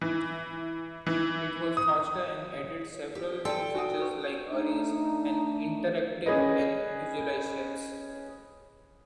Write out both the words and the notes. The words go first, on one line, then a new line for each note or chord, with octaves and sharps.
It was faster and added several new features like arrays and interactivity in visualizations.
E3
E3
D#6
G4
A4 D5 G5 C6
F#4 F#5 G#5 D#6
F4 B4 C#6
A3 D4 D#4
C#4 G#4 B4 D#5